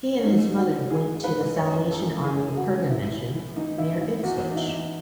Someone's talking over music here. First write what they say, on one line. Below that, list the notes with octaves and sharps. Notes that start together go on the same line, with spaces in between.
He and his mother then went to the Salvation Army Purga Mission near Ipswich.
C#4
G#2 D#4
G#2
F#4
E3
E3 G#4
E3
B4
G#2
F#2 C#5
E3
A4
F#2
E3 G#4
F#2
F#4
C#3
E3 E4
A2
A2
E3 D#4
A2 E4
A2 E4
E2 F#4
E2
D#4
E4
E2